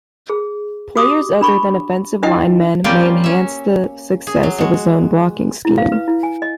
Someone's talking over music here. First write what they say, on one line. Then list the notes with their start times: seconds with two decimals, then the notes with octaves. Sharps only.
Players other than offensive linemen may enhance the success of a zone blocking scheme.
0.30 G#4
0.95 F#4 G4 D6 D#6
1.41 D4 B5 C#6
2.23 D4 E4 D#5 E5 F#5 G5
2.84 G3 A#3 C4 C#4 F4 G4
3.24 C#4 E5
4.27 G#4
4.43 F#3
4.58 G#3 F#4
5.65 E4
5.78 F5
5.92 B4
6.08 E4
6.23 G#5
6.42 D#5